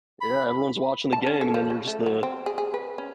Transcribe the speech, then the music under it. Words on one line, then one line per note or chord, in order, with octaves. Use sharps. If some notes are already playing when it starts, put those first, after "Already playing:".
Yeah, everyone's watching the game, and then you're just, uh,
B5
A5
C#4
A4
F3
C#3
A3
F#3
C4
G#4
G#4
B4
C#4